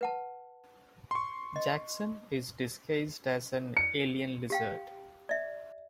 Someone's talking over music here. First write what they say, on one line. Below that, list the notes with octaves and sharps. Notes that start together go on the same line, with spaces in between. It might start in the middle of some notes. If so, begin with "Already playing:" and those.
Jackson is disguised as an alien lizard.
B4 F#5 A5
C6 C#6
D#5
C#7
G4 F5 G5
D5 E5